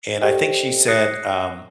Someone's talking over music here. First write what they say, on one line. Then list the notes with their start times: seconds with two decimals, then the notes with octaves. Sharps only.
and I think she said, um
0.22 G4 A4 C5 D5 D#5 G5
0.88 D#6 F#6 A#6 C7 C#7